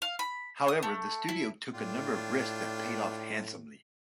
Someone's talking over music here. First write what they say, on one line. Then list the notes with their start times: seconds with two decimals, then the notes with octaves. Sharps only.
However, the studio took a number of risks that paid off handsomely.
0.02 F5
0.19 B5
0.68 D#6
0.83 A3
1.29 E4
1.74 A2 D4 F4 G5